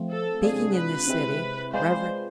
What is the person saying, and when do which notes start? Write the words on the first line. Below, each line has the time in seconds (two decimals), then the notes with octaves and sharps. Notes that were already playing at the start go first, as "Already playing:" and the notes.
Speaking in this city, Rev.
Already playing: F3 A3 C4 F4
0.10 A4
0.43 C3 G#3 D4 F4 G#4
0.75 B4
1.07 C3 G#3 C4 E4
1.73 G#3 C4 F4 B4 C5 D5